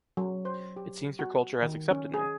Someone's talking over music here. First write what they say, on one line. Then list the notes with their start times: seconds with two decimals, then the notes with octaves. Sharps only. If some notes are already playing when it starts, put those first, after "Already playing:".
It seems your culture has accepted me.
0.17 F#3
0.45 C5
0.76 G4
1.19 F#4
1.63 D#3
1.91 C#4
2.14 G#4